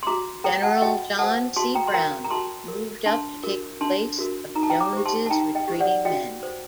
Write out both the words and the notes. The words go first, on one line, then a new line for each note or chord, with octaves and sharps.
General John C. Brown moved up to take the place of Jones's retreating men.
C6
F#4 A#5 D6
A4 C5 G5 A#5
F#5 A5
F#5
F#4 D#5 G5
A4 C5 F#5 A5
F#4 A5 C6
G5 A#5
C6
A#4 G5 A#5
A#5
F#4 A5 C6
A#4
D4 A5 C6
F#4 A#4
D4 A5 C6
F#4 A#4
D#4 A#5
A5
G5 A#5
A#5 D6
G4 C5
A5 C6
A5
D#4 G5 A#5
D#5 G5
G4 C5
D5 F#5
F#4 D#5 G5
C5